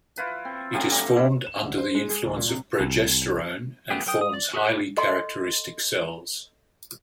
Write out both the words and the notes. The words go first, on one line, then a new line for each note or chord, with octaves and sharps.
It is formed under the influence of progesterone and forms highly characteristic cells.
E4 F4 B4
C4
A2 F3 F#3 C4
G2 C4 A#5
G2 E4 E5
E7
D2
C5
G#3
G#4
D1
A#2
C3
C2
A3 B3 G4 G#4
F#3 A#4 G5 D#6
D#6
D5
F#4 G#4 A#4 E5 F#6
E4 F#4 G4
A4 D#5 C6